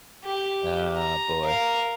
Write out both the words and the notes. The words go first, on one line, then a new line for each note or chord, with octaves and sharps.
Oh boy.
G4
A#5
A#4 F5